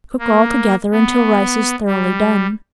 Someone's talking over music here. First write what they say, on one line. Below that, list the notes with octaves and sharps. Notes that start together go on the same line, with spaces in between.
Cook all together until rice is thoroughly done.
A#3
B3
G3